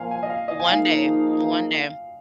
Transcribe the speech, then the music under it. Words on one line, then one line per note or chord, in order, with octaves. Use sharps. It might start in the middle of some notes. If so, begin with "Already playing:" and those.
one day, one day.
Already playing: A#2 F3 A#3 F5 G#5
G#5
D#5
F5
D#5
G#5
F3 A#3 D#4 G#4 F5